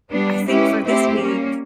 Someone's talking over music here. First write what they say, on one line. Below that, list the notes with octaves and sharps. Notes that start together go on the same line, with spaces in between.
I think for this week
G3 B3 D4
G#3 C#4 E4 G4 B4
A3 C4 E4 G4 C5
G3 A#3 C#4